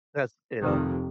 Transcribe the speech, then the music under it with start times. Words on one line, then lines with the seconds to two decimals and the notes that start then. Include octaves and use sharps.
That's, you know
0.61 F1 F2 C3 D#3